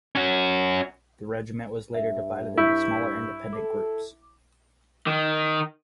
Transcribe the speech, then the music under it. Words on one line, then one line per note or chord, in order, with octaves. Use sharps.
The regiment was later divided into smaller independent groups.
C#4 F#4
G2 E5
E4 C#6 G6 B6
A4 D6
D#3